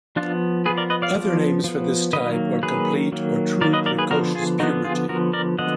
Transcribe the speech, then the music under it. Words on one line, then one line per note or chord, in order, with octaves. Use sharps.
Other names for this type are "complete" or "true precocious" puberty.
F3 B3 D4 F4
F3 B3 G#4 B4
A#4 D5
B4 D#5
D5 F5
F3 B3
F3 B3
D#3 F#3 A#3 B4 D#5
D#3 F#3 A#3 G#4 B4
D#3 F#3 A#3
D#3 F#3 A#3 A#4 D5
B4 D#5
A#4 D5
G#4 B4
D3 F3 B3 F#4 A#4
F4 G#4
D3 F3 B3 D#4 F#4
F4 G#4
D3 F3 B3 F#4 A#4
A#4 D5
D3 F3 B3 D#5 F#5